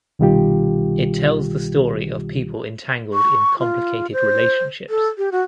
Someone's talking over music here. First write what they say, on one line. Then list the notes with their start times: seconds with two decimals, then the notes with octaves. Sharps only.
It tells the story of people entangled in complicated relationships.
0.19 C2 B2 D#3 G3 F4 G4
3.14 C#6
3.59 F4
4.13 C5
4.90 A4
5.18 G4
5.32 F#4